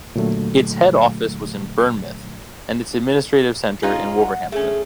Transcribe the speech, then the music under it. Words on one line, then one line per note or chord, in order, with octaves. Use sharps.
Its head office was in Bournemouth and its administration centre in Wolverhampton.
A#2 D3 F#3 A3
C#4 D#4 F4
F#5
A3 C#4 G#4